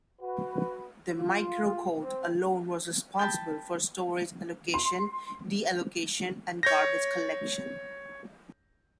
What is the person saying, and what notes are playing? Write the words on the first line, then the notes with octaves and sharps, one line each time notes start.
The microcode alone was responsible for storage allocation, deallocation and garbage collection.
F#4 B4
F4
C4
G5 A5 B5
C6
C#5 G6 A#6